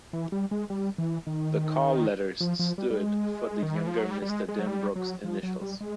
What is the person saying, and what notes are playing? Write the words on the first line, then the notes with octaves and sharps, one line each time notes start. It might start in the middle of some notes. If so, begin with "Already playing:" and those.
The call letters stood for the younger Mr. Denbrook's initials.
E3
G3
G#3
G3
E3
D#3
F3
F3
G3
G3
G#3
D#3
E3
F3
F#3
G3
G3
G#3
G#3
F#3
G3
F#3
F3
F#3
G3
G#3